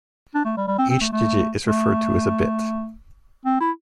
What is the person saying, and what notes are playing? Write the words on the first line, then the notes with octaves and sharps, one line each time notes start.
Each digit is referred to as a bit.
D4
A3
G3
G3
C4
C4
A3
A3
A3
C4
E4